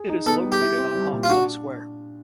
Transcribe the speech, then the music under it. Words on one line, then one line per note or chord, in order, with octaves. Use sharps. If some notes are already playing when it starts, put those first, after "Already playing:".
It is located on Hoxton Square.
Already playing: G#4
D#4
B3 A4
G3
G4
E4
C4
G3
A#2
F4
D4 F#4